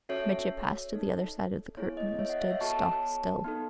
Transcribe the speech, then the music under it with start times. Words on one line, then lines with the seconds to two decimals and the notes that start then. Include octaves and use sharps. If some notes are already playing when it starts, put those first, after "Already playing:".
Mitya passed to the other side of the curtain and stood stock still.
0.09 C#4 F#4 A4 C#5 E5
0.94 D#4 A4
1.77 B3 E4 G#4 C#5
1.87 C#5
1.97 D#5
2.09 D#5
2.19 C#5 E5
2.29 D#5 F#5
2.40 C#5 E5
2.50 C#5 E5
2.61 B3 F#4 A4 A5 C#6
3.44 B3 D#4 A4